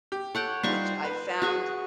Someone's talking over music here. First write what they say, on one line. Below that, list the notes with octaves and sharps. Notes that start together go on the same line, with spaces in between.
which I found
G4
A4 C#5 F#5 G5
G3 D#4 F4 C5 C#6
B4
F#4 G#4 C#6